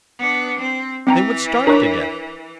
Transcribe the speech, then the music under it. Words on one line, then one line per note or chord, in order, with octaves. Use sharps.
They would starve to death.
B3 D4
C4
E3 C4 G5 A#5
D4 A#4 C#5 F#6